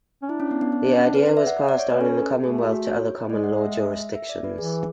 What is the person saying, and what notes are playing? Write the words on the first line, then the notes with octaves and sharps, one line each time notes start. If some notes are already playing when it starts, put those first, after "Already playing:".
This idea was passed on in the Commonwealth to other common law jurisdictions.
C#4
D4 E4
C#4
B3
B3
B3
C#4
B4
D5
E5
F#5
E5
D5
C#5
B4
B3
C#4 A4
A3 G#4
F#4
F#4
C#5
G#3 D5
F#5
E5
E5
E5
D5
B4
E3 G#4